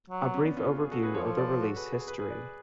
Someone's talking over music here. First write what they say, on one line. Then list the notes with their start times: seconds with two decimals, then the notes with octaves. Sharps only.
A brief overview of the release history.
0.10 F#3
0.22 B3
0.34 C#4
0.45 B3 D4
0.57 C#4 F4
0.68 C#4
0.79 F4 G#4
0.91 F#4 A4
1.03 G#4 B4
1.14 F3 A4 C#5
1.26 A4 C#5
1.38 B4 D5
1.61 F#4 A4
1.76 G#4 B4
1.92 G#4 B4
2.07 G#4 B4
2.19 G#4 B4
2.30 B4 D5